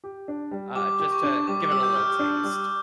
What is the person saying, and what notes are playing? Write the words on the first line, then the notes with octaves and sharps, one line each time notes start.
uh, just to give it a little taste.
G4
D4
G3
G3 D6
G4
C#6
D4
G3 D6
D6
G3 E6
G6
G4 F6
F6
D4 G6
G3